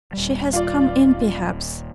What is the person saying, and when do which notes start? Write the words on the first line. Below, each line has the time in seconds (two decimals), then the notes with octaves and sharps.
She has come in, perhaps.
0.13 D#1 G3
0.53 F4 D5